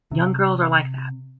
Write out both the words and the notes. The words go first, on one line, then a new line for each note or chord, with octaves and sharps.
Young girls are like that.
C3